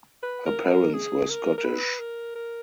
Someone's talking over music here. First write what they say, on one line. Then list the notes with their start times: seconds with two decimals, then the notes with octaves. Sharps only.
Her parents were Scottish.
0.23 B4
0.46 A#4
0.65 B4
0.70 A#4
0.94 G#4
1.30 A#4
1.58 A#4
1.64 B4
1.99 A#4
2.35 A#4